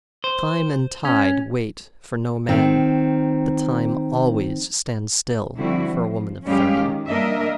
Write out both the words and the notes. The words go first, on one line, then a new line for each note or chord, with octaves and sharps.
Time and tide wait for no man--But time always stands still for a woman of thirty.
C5
C#4
D#3 C4
D3 F3 G3 C4 E4 F#4
F3
G3 G#3 C#4 G4 F5
D#3
G3 A#3 D4 A#4 D#5 E5